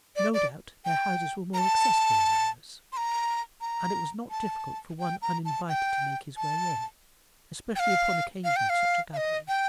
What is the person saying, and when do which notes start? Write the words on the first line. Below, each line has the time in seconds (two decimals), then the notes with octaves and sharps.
No doubt their houses were more accessible than ours, and it was not difficult for one uninvited to make his way in, especially upon occasion of such a gathering.
0.16 D5
0.34 D5
0.85 G5
1.54 A#5
1.58 A5
2.92 C6
2.97 A#5
3.61 A#5
4.30 A5
5.00 G5
5.22 A#5
5.45 A5
5.69 G5
6.37 A5
7.76 G5
7.79 F5
8.44 F5
8.56 G5
8.70 F5
9.13 F5
9.17 D#5
9.48 G5